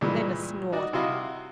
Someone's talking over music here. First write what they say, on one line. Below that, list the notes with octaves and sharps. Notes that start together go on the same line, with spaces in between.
Then a snort.
G2 A#2 E3 G#3
D#4 F#4 D5
C3 E4 F#4 D#5 F5 B5